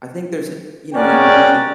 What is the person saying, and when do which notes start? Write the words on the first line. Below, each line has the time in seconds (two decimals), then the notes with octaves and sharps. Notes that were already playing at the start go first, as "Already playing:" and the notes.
I think there's h you know, you need
0.94 G#3 C#4 F#4 A#4 D5 G5